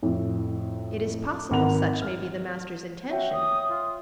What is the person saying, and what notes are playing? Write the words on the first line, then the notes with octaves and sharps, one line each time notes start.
"It is possible such may be the master's intention."
F2 A2
G#1 A#4 F#5 B5 F7
F6
F#4 C#5 E5 G5
D#6
F4